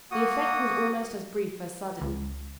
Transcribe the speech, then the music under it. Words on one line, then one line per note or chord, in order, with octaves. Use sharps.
The effect was almost as brief as sudden.
A#3 F#4 F#5 D#6
C#2